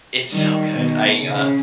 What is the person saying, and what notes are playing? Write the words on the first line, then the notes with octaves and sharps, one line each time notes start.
it's so good. I, uh
D#3 G3
B2 D#3
C#3